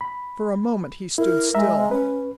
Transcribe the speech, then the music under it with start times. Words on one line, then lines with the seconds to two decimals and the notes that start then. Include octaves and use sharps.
For a moment he stood still.
0.01 B5
1.18 E4 A#4
1.55 G#3 E5 A#5
1.91 C#4 B4